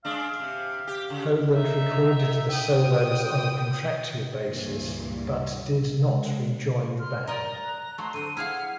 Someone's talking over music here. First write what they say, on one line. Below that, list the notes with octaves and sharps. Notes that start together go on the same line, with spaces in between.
Poland recorded the solos on a contractual basis, but did not re-join the band.
G#3 D4 F5
C3
G4
C#3
D#4 E5
G5 D#6
C#2 G2 A#2 E3
G#3
C6 F6
A#4 D5 D#5 G5 A#5
F#6
F#3 A3 C6
D3 C4 A4 D#7
E4 G#4 F5 F#5 F6